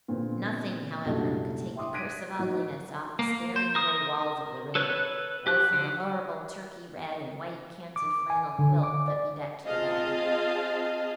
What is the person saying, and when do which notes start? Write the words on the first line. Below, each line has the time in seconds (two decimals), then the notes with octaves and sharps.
Nothing, however, could take the curse of ugliness off the staring gray walls of the room, or from the horrible turkey-red and white canton-flannel quilt that bedecked the bed.
0.08 A#2 D3 B3 C4
1.05 C2 F#2 A#2 A3 D4
1.76 E5 G5 C6 D6 D#6
1.94 F#6 G#6 A#6 B6 D7 D#7
2.39 D#3 F#3
3.19 A#3
3.56 C5
3.75 A#4 D#6
4.75 A4 B4 C#5 F#6
5.47 G4 F#6
5.73 D3
7.96 D6
8.30 G#5
8.59 D3
8.83 D6
9.08 D5
9.65 C4 F4 G#4 D#5 F5 A5